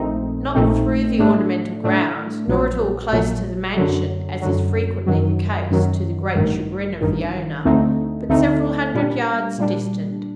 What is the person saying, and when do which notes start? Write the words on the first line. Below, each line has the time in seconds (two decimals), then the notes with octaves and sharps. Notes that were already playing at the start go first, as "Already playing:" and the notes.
Not through the ornamental grounds, nor at all close to the mansion--as is frequently the case, to the great chagrin of the owner--but several hundred yards distant.
Already playing: A#1 A#2 A3 C4 D#4
0.55 A#1 A#2 A3 C4 D#4
1.19 A2 A3 D4
1.84 A2 A3 D4
2.48 A#1 A#2 F#3
3.13 A#1 A#2 F#3
3.77 F#2 D3 F#3
4.42 F#2 D3 F#3
5.07 F#2 D#3 F#3
5.71 F#2 D#3 F#3
6.36 A1 G2 D#3
7.01 A1 G2 D#3
7.65 D2 D3 A3 C4 D#4
8.29 D2 D3 A3 C4 D#4
8.94 A#2 G3 D4
9.58 A#2 G3 D4